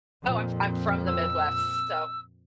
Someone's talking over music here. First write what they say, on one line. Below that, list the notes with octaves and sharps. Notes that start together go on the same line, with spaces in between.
Oh, I'm I'm from the Midwest, so
F2 A#2
E6